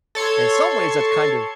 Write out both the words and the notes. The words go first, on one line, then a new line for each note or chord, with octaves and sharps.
In some ways, that's kind of, I
A4 C#5 C6 G#6